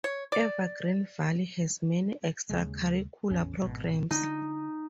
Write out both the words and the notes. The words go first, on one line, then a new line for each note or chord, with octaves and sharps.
Evergreen Valley has many extracurricular programs.
C#5
D5
D#2 C#3 G#3
A1 E2 C#4
G#1 B2
D3 D#4